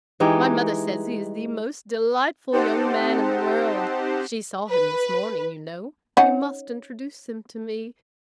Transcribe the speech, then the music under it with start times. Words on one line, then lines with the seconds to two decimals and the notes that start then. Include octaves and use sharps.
My mother says he is the most delightful young man in the world; she saw him this morning, you know; you must introduce him to me.
0.20 E3 G#3 D#4 G4
2.52 C4 D#4 G4 C5 F#5 A5
4.69 B4
6.17 C#4 D#4 F#5